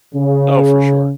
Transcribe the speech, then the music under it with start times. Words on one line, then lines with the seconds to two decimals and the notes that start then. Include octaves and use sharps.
Oh, for sure.
0.15 C#3